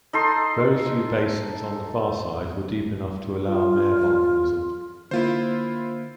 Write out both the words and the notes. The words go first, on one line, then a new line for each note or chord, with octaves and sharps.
Very few basins on the farside were deep enough to allow mare volcanism.
D#4 A4 C6
F4
D3 A#3 E4 F4 C5